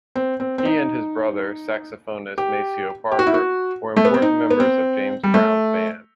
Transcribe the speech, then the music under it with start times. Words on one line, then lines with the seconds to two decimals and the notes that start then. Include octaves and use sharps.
He and his brother, saxophonist Maceo Parker were important members of James Brown's band.
0.16 C4
0.40 C4
0.58 C4
0.65 D#4
2.38 G4
3.11 G4
3.19 F#4
3.27 E4
3.34 F#4
3.97 A3
4.05 B3
4.14 C4
4.22 D#4
4.50 B3
4.60 C4
5.24 G3
5.34 A3